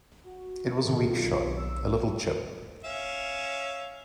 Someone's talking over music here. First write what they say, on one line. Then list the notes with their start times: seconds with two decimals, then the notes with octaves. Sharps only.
It was a weak shot, a little chip.
0.24 F#4
0.81 A2 C3 D#3 A4
1.09 B1 F4
1.57 E6
2.84 C#4 E5 F5